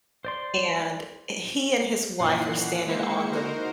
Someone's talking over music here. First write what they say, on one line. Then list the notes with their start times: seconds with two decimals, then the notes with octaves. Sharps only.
and he and his wife were standing on the
0.25 C5 D5 C6
2.19 F#2 A#2 D#3 E3 F#5 C7
2.87 G#3 A#3 E4 C5 C#7
3.32 D#4 F#4 A#4 C5